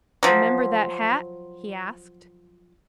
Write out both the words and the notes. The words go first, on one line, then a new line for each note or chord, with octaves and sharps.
"Remember that hat?" he asked.
F3 F#3